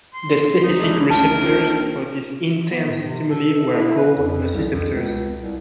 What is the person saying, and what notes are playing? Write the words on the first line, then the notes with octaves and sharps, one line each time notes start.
The specific receptors for these intense stimuli were called nociceptors.
C6
C2 D#4
G#3 D4 E4
D2 A#4 A5
A#1 D3 F3 C4
B3
A2
C3
A4
E4
B4
F2
C2
F2
C#2
C2